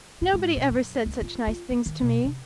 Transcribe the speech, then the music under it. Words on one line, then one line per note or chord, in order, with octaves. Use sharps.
Nobody ever said such nice things to me.
A2
G#2
B2
F#2
C#2
F4
F4
A#3
D#3
B2
C3